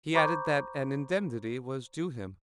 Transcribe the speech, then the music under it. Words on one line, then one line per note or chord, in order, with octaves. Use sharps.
He added that an indemnity was due him.
C5 A#5 B5 C#6 D6 G6